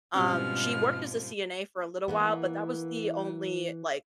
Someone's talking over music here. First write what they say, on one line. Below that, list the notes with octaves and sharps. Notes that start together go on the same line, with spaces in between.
um, she worked as a CNA for a little while, but that was the only, like,
G#2 B2 F3 G3 C4 C#4 F6
E3 A#3 B3